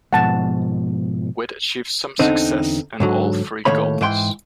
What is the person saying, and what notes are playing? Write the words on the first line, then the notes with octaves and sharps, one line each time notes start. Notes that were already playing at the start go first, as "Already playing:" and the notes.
Wead achieves some success in all three goals.
G#2 B2 F3 F#5 A5
E2 D3 C4 D#4
G#2 D3 F#3
A2 D#3 A#3 C#5 B5
G#2 E3 G5 C6